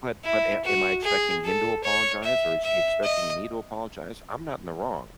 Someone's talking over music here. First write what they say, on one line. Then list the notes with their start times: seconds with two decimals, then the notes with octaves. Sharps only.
but but a am I expecting him to apologize, or is he expecting me to apologize? I'm not in the wrong.
0.24 E4
0.64 F#4
1.04 G#4
1.44 A4
1.84 C#5
2.24 E5
2.64 E5
3.03 D#5